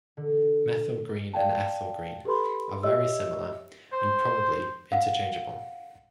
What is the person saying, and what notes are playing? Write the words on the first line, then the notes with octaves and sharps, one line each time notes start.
Methyl green and ethyl green are very similar and probably interchangeable.
D3
D5 F5 G5 A5
G4 A4 B4 B5 C6
G4 C#5 D#5 E5 E6
C5
F5 F#5